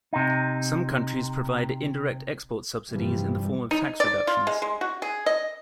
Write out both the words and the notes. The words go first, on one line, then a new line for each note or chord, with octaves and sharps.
Some countries provide indirect export subsidies in the form of tax reductions.
C3 D#4
G2 C3 E3 F3 G3
D#4
D5
F4
G#3
G#3
F#4
G#4
D#5